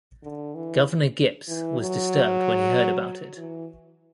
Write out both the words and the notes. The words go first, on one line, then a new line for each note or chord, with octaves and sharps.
Governor Gipps was disturbed when he heard about it.
D3
E3
E3
F#3
E3